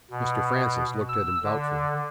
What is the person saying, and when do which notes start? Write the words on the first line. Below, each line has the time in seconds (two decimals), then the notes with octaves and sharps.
Mr. Francis looked at him doubtfully.
0.11 B2
1.09 E6
1.44 D3